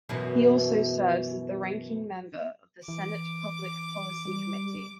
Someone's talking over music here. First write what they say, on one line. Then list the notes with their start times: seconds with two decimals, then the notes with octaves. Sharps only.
He also serves as the ranking member of the Senate Public Policy Committee.
0.09 F#2 B2 E3
2.88 E3 D6
4.25 G3